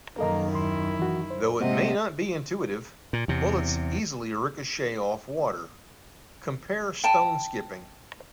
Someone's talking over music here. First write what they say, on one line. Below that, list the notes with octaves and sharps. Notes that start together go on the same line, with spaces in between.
Though it may not be intuitive, bullets easily ricochet off water; compare stone skipping.
F#2 D#3 A#3 A4 D#5 A#5
D#2 E4 C6
E3 F#4
C5
C3 G#3 A#3 C5 D#5 F#5
A#2
E2 C3
G5 A5